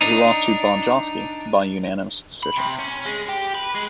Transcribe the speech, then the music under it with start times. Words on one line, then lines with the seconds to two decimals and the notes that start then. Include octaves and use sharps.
He lost to Bonjasky by unanimous decision.
0.01 D4 D#4
2.43 B5
2.56 C3
2.79 C#4
3.06 G#3
3.29 G4
3.55 B4
3.75 G#3